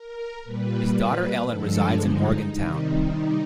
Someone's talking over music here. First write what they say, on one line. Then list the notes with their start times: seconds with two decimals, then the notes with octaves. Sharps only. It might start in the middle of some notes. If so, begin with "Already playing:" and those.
His daughter Ellen resides in Morgantown.
Already playing: A#4
0.43 A#2 G3 B4
0.95 B4
1.47 G2 D3 F3 G#3 A4
2.00 D#4
2.51 C3 D#3 G3 D#4
3.03 D#4